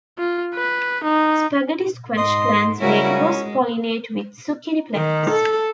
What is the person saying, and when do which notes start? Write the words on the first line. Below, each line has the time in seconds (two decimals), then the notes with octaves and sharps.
Spaghetti squash plants may cross-pollinate with zucchini plants.
0.18 F4
0.55 B4
1.04 D#4
2.17 G#2 D#5 C6
2.81 C#3 G3 C#4 E4 F#4 A#4
3.15 G#3
4.94 D#3
5.30 A4